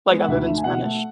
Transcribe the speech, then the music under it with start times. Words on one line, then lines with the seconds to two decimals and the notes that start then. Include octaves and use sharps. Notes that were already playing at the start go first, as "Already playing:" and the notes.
Like other than Spanish?
0.09 G#3 B3
0.20 F#5
0.28 D2 E5
0.46 D3 A3
0.58 G#5
0.64 B2 F#5
0.83 A3